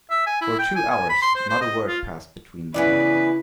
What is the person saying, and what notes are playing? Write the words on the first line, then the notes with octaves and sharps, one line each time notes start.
For two hours not a word passed between them.
E5
G#5
E4
G5
G#5
G#5
B5
C6
C5
C5
D#5
F4
C#3 E3 B3 E4 B4 D5